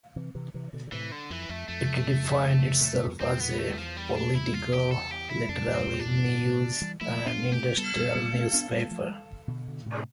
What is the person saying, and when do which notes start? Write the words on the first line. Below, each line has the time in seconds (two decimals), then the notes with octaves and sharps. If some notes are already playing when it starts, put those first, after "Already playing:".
It defined itself as a "political, literary, news and industrial newspaper".
0.16 C3 E3
0.35 C3 E3
0.54 C3 E3
0.73 B2 D3
0.87 D3
0.92 A2 C3 E3
1.12 D3
1.30 F2 E3
1.49 F2 A3
1.68 F2 A3
2.81 A2
2.94 G2
3.07 F2
3.20 E2 C4
3.40 B3
3.58 A3
3.78 F3
3.97 G3
4.16 D4
4.35 E4
4.54 F4
4.72 G4
4.92 A4
5.11 G4
5.30 E4
5.49 F2 D4
5.68 E2 G2
5.74 C4
5.87 E2 G2
5.97 G2 D4
6.05 F2 A2
6.25 A2 C3
6.44 A2 C3
6.82 E3 G3
7.01 F3 A3 E4
7.26 B3 D4 F4
7.51 A3 C4 G4
7.77 G3 B3 A4
7.96 G3 B3
8.15 G3 B3
8.33 A3 C4
8.53 B3 D4
8.72 G3 B3
8.91 F3 A3
9.48 B2 D3
9.67 B2 D3
9.86 A2 C3